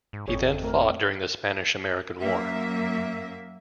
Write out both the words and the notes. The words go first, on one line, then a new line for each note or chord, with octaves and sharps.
He then fought during the Spanish-American War.
G#2
G#1 F2 G#4 C#5
A3 A#4
F#2 A#3 E5